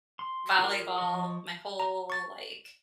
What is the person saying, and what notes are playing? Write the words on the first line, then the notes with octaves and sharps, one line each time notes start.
volleyball my whole, like,
C6
F4 G#4 A#4
F3 D#5 C#6 D#6
A#5
C#6 A6